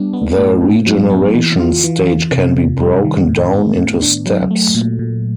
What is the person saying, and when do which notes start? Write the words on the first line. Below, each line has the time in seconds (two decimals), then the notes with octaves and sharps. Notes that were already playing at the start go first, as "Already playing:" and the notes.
The regeneration stage can be broken down into steps.
Already playing: G3 B3 D4
0.13 B3
0.37 A2
0.61 A2
0.87 F#3
1.10 B3
1.35 E3
1.60 F4
1.84 E3
2.08 F4
2.32 C3
2.56 C3
2.81 G3
3.04 D#3
3.29 A2
3.53 B3
3.77 A2
4.02 D4
4.26 F#3
4.51 A3
4.75 A#2
4.99 A#2